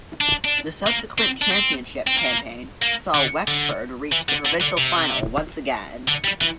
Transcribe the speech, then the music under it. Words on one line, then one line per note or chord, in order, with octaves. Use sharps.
The subsequent championship campaign saw Wexford reach the provincial final once again.
D4
D4
A#3
C4
D4
C4
C4
A#3
A#3
D3
D3
E3
D3
D3
D3
C3
D3
G3
E3